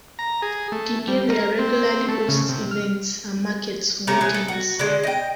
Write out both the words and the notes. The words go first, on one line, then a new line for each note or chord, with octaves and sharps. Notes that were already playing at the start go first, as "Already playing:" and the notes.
The area regularly hosts events and markets on weekends.
A#5
G#4
A3
G3
A#4
C4
A3
C#3
C3
F6
C3 A3 C#4 A#5
E3 G#4
A4
F#4
D3 G#3
D#5 G5